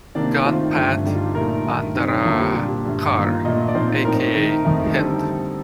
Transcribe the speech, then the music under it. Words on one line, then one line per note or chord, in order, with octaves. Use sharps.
Gunpat Andarakar aka Hind.
C3 D#3 A#3 D4 D5
D#3 A3 C4 D#4 F4
G2 D3 A3
D3 G3 D4 D#4
F4
G4
A#2 A3 D#4 A#4
G2 D#3 A3
C3 G3 C4 D#4
F2 D3 G3 A#3 F4
G4
A#2 G3 D4 G4
G2 D3 A3
D#3 A#3 D#4
F4
A#2 A3 D4 D#5
D5
A#2 F3 C4 D#4 C5
A2 A3 C4 D#4 A#4
D#3 A3 D#4
F2 D#3 A3 D#4
D3 G3 C4 D#4 A4